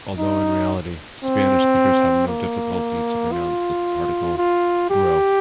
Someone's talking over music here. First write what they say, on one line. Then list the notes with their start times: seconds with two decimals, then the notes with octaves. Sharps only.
Although in reality Spanish speakers have no difficulty to pronounce the particle 'gro'.
0.18 D#4
1.24 C4
2.28 A#3
3.32 F4
4.37 F4
4.90 G4